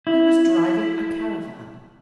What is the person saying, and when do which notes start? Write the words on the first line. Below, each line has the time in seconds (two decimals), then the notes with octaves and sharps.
He was driving a caravan.
0.07 E4